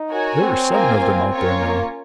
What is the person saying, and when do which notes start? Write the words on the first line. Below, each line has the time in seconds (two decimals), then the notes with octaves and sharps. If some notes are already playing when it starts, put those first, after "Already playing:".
"There are seven of them out there now."
Already playing: D#4
0.09 F#4 A#4 C#5 G#5
0.40 C4
0.70 A#3 F4 A#4 F5 G#5
1.01 C4
1.30 C#4 F4 A#4 C#5
1.61 A#3